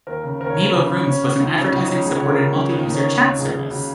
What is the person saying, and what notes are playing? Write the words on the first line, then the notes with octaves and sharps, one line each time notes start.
Meebo Rooms was an advertising-supported multi-user chat service.
D#2 A#4
C#3
D#2 A#4
C#5
C#3 A#4
C#3 F#4
C#3
C#3 C#4
C#3
C#2 D#4
C#3 C#4
C#2
D#4
C#3
C#2 G#4
C#5
C#2
A#4
C#3
C#4
C#2
D#2 D#4
D#3
C#4
D#2
D#2 D#4
C#2 G#4
C#2
C#3 F#4